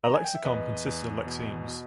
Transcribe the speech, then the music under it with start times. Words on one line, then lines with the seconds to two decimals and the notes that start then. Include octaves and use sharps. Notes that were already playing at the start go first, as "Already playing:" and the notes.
A lexicon consists of lexemes.
0.04 A#5
0.14 G#5
0.24 G5
0.35 E5
0.45 E2 B4 D#5
0.86 E2
1.27 B2
1.68 B2